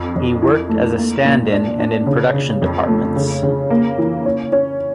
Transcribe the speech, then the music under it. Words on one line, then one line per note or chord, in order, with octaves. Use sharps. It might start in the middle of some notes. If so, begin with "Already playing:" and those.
He worked as a stand-in and in production departments.
Already playing: F2
F2
E4
A3
A#3
A#2
D4
D4
C#3
C#3
F2
A3
C#3
C#3
A#3
E3
C#4
C#4